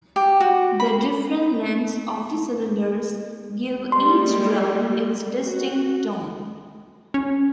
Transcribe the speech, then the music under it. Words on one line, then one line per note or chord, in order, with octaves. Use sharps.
The different lengths of the cylinders give each drum its distinct tone.
G4
F#4
B5
G3 G#3 A#3 C6
F#4
C#4